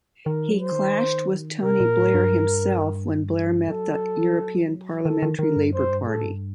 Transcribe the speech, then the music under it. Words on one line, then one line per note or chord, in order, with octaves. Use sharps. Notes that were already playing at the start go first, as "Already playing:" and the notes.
He clashed with Tony Blair himself when Blair met the European Parliamentary Labour Party.
D#3 A#4
F#3
C5
D#3
C3 A#4
A#2
A2
G2
F#3 A4
D#3 A4
D#3
D#3 A#4
G2
F#2 C5
G2
A2 A4
G2